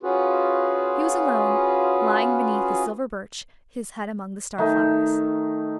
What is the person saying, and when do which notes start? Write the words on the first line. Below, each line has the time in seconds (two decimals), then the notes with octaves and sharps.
He was alone, lying beneath a silver birch, his head among the star flowers.
0.03 C#4 F4 F#4 G#4 B4
4.58 D#3 A3 D#4